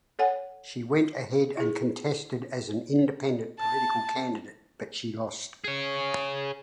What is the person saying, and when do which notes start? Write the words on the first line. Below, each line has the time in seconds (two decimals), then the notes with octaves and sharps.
She went ahead and contested as an Independent political candidate but she lost.
0.19 A4 C#5 F#5 G#5
1.57 E4 G#4
3.59 A5
5.64 G#4 C#5